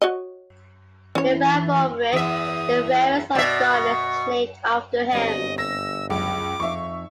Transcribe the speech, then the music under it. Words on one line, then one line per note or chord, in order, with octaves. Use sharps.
Uvarovite, the rarest of garnets, is named after him.
F#4 C#5 D#5
E3 C#4 C#5
E2 E5 D#6
B2 D5 E5
C#6
G1 C4 G4 C#5 D#5
E6 A#6
C#2 F#2 D6
F2 D#4 E5 F5 C#6